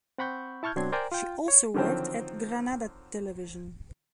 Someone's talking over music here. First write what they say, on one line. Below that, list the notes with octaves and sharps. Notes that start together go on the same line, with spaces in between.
She also worked at Granada Television.
C4 F#5 B5 C#6 G6
E4 A5 C#6 F6 G6 G#6
B2 F#3 C4 D4 C6 G#6
A#4 C5 D5 G5 G#5 A#5
F4 G5
C#5
D3 D#3 F3 F#3 C4